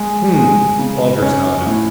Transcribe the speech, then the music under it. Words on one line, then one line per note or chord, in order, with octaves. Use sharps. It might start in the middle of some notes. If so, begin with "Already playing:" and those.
"Hmm," Walters nodded.
Already playing: G#3
G#3
C#3
C#4
A2